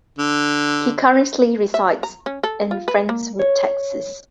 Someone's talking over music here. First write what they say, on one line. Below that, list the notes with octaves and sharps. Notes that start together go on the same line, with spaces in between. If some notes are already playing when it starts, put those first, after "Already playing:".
He currently resides in Friendswood, Texas.
D3
E5
A#5
C#4
A4
F4
B4
A#3
C#5